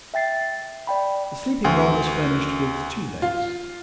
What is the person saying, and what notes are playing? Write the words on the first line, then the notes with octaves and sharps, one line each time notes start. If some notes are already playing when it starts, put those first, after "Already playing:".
The sleeping-room was furnished with two beds.
E5 G5 A6 C7
D5 G5 B5
D2
F4